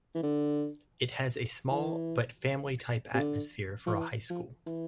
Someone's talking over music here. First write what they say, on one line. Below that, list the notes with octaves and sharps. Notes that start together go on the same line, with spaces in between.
It has a small, but family type atmosphere for a high school.
E3
D3
E3
C3
D3
F3
E3
F3
E3